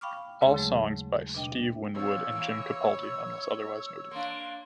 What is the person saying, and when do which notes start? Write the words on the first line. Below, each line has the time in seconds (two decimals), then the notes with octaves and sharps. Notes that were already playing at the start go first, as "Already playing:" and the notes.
All songs by Steve Winwood and Jim Capaldi unless otherwise noted.
0.01 F5 G5 B5 C#6 D6 F6
0.41 D#2 C#3 G#3 G#4 C#5 C6
0.54 C#3 F#3 A3
1.35 B2 D4 D#5 G5
1.95 C3 F3 C#5 E6
2.32 E3 A#3
4.11 A#3 D4 C6